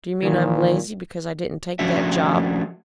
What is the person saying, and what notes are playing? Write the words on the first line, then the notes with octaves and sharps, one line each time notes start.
"Do you mean I'm lazy because I didn't take that job?"
A#2 D#3 E3
F3 A3 C#4 D4 F#4 E5